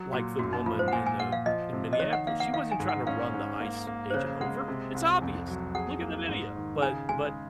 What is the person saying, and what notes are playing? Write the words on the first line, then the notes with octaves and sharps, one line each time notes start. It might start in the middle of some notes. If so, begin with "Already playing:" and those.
like the woman in the in Minneapolis, she wasn't trying to run the ICE agent over, it's obvious! Look at the video, but but
Already playing: F#3
A#2 F#4
F#2 F#4
D#4
F3 F4
C5
F#5
A#2 G#5
G#5
A#2 F#5
F5
F3 D#5
C3
D#5
D#3 C#5
F#5
A#3 F5
F#5
D#3 F5
G#5
G#2
F#5
C#4 F5
G#2
A#3
A#3
C5
C#3 C#5
G#3 F#5
C3
C2
F2
F#3
G#4 F#5
A#3
G#2
D#3
C#3 G#5
G#3 G#5